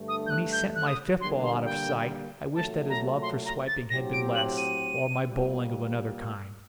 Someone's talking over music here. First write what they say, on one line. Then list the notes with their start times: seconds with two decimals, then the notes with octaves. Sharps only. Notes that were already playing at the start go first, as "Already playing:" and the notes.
When he sent my fifth ball out of sight I wished that his love for swiping had been less, or my bowling of another kind.
Already playing: G2 D3 A3
0.08 D#6
0.27 G6
0.30 F#6
0.53 G6
0.76 F#6
0.87 D#6
1.20 D3 G3 A#3 C6
1.44 C6
1.65 G5
2.55 A#2 F#3 A3 A5
2.89 A#5
3.22 C6
3.45 A#5
3.67 A6
3.90 A2 F#3 C4 G4 A#6
4.13 D7
4.35 F#7
4.58 D#7
5.25 A#2 G3 A#3